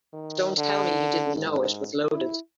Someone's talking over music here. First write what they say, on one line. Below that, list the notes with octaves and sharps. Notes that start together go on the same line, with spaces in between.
Don't tell me you didn't know it was loaded.
D#3
D3
G#2
E4